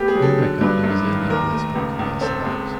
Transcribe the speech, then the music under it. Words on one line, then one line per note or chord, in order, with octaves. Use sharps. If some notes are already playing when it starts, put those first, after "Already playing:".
No record of his earlier political career survives.
Already playing: A3 B3 G4
G#4
F#3
A4
D3
G2
F#2
D#3
D#2 A#4
A3
C#2
C#2
C4 A4
G#3